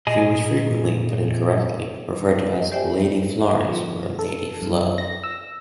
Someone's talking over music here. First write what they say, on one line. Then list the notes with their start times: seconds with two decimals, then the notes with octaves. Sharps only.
She was frequently, but incorrectly, referred to as "Lady Florence" or "Lady Flo".
0.07 A#2 G#4 D#5 G#5
2.72 G4 C5 D5 E5 G5 G#5
3.69 F3
4.19 A4
4.62 F#2
4.98 A#6
5.24 E6